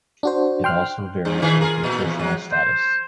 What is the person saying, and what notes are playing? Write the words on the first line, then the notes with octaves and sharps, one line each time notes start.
It also varies with nutritional status.
D4 F#4 C5
G5 C6 F6 F#6
G2
A#2 D#3 G#4
F4 G#4 A#4
A#2
E2
F#3 G#3
C5